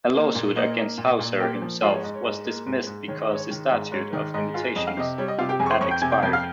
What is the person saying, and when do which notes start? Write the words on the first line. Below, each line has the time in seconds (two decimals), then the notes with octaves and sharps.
A lawsuit against Hauser himself was dismissed because the statute of limitations had expired.
0.14 A#3
0.35 A#2
0.56 A#3 D#5
0.77 A#3
0.98 A#2
1.19 A#2
1.40 A#3 G4 G5
1.62 F3
1.82 G#2 F4 F5
1.93 C#5
2.03 G#2 D#5
2.14 C#5
2.24 G#2 D#5
2.45 A#3
2.66 G#2
2.87 G#2
3.08 D#3 C#5
3.21 D#5
3.29 G#2 C#5
3.50 D#3
3.71 G#2
3.92 G#2 C#5
4.13 D#3
4.34 G#2 D#5
4.54 G#3 F4 F5
4.76 F2 D#5
4.87 F5
4.97 C3 D#5
5.18 G3 C#5
5.28 D#5
5.38 C3 F4 F5
5.49 G4 G5
5.59 F2 G#4 G#5
5.66 C#6
5.70 C5 C6
5.80 F2 C#5 C#6
5.91 G5 G6
6.01 C3 G#5 G#6
6.12 G5 G6
6.22 F2 G5 G6
6.33 F5 F6